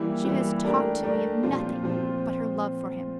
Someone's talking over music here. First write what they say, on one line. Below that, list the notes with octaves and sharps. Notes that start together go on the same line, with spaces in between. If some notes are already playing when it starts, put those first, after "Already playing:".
She has talked to me of nothing but her love for him.
Already playing: E3 G3 A#3 E4 G4
E3 G3 A#3 E4 G4
A3 D4 G4 A#4 D5
A3 D4 G4 A#4 D5
A#2 F3 C4 F4 C5
A#2 F3 C4 F4 C5